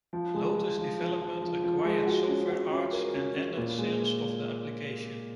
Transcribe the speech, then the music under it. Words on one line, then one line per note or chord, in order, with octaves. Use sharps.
Lotus Development acquired Software Arts and ended sales of the application.
F3
G#3
F3
F3
F3
F3
F3
F3
G#3
F#4
C#4
F#4
C#4
A#4
C#4
C#4
A#2
G#3